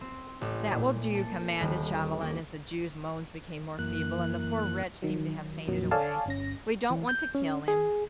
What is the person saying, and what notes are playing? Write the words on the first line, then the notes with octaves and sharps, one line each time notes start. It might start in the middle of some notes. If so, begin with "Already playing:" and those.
"That will do," commanded Chauvelin, as the Jew's moans became more feeble, and the poor wretch seemed to have fainted away, "we don't want to kill him."
C4
A1
A#2
A4
D#1
A#3
F#2 E3 A#3 F#6
D#3 F#3
F2 A#2 F#3
A4 C#5 D5 F5 G#5 A5
G1 C#4 A#6
E3
G6
C#4
G#4